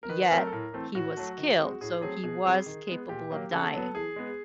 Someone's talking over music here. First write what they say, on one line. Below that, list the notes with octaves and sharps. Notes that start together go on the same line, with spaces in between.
yet he was killed, so he was capable of dying.
A#4
D#3 B4
F#3 A3 C4 A#4
A4
A2 A#4
E3 A3 C4
A2 F#4
F#3 A3
D#3
G#3 C4
A2 G#4
F#3 A3 C4 G#4
B2 G#4
G3 C4
D#3
G#3 B3
A#2 G4
F#3 A#3
C#3 A4
F#3 B3
E3 G#4
G#3 B3